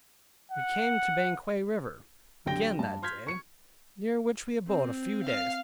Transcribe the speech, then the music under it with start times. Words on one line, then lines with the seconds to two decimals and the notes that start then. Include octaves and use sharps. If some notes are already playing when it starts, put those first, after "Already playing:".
We came to Banquang river again that day, near which we abode a few days.
0.51 F#5
2.46 B1 D3 G4 G5 A#6 G7
2.79 G2 A5
3.02 C6 F6 G6 G#6 B6
3.27 C#6 C#7
4.66 C4
5.23 F5